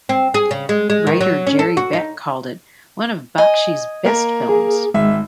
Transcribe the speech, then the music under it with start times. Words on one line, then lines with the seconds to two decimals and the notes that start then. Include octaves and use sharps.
Writer Jerry Beck called it "one of Bakshi's best films".
0.09 C4
0.34 G#4
0.51 C#3
0.69 G#3
0.90 G#3
1.07 D#3
1.21 F#3
1.47 C#4
1.59 A4
1.77 F#4
1.93 D#4
3.38 D#5 G#5
4.05 A#3 A#4
4.49 G#4
4.94 G#1 G#3 E5